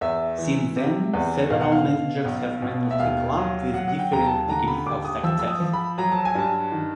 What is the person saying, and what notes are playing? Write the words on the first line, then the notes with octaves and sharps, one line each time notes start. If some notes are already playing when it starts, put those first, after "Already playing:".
Since then, several managers have managed the club with differing degrees of success.
E2 E5
E3
C3
E2
B2 F5
F#5
F5
B2
B1
B2
E5
D#2 F5
F#3
F#3 F#5
F#5
G5
D#2 A#5
A5
D3 A#5
B5
D#2 D6
D#6
F3 E6
E6
D#6
F3
B5
F#3 A#5
A5
G#5
G2 A5
D#3